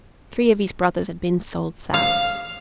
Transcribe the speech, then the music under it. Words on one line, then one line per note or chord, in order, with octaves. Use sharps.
Three of his brothers had been sold South.
F5